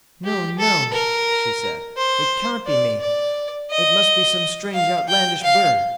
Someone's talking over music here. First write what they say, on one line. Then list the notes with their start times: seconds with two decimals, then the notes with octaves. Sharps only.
'No, no!' she said, 'it can't be me; it must be some strange outlandish bird.'
0.24 G4
0.59 A4
0.93 A#4
1.97 C5
2.66 D5
3.01 D5
3.70 D#5
4.74 F5
5.08 G5
5.43 F5